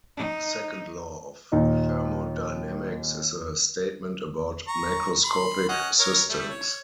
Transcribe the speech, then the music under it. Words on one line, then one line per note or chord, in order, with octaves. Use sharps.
The second law of thermodynamics is a statement about macroscopic systems.
D#4
D#2 A#2 D#4 D#5
A#5 C#6
B5 C6
C#4 D#5 F#5
A#4 C#5
G3 A3
C#5